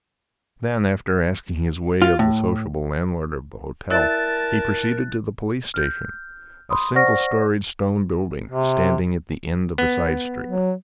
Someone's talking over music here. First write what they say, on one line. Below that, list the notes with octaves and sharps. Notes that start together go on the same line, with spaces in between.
Then, after asking his way of the sociable landlord of the hotel, he proceeded to the police station, a single-storied stone building standing at the end of a side street.
F4
A2
E4 A#4 D5 E5 A5 F#6 A6
F6 G6
B5 C6 D#6
C5 D5 F#5 C#6 F6 A#6
C3
B3
F#3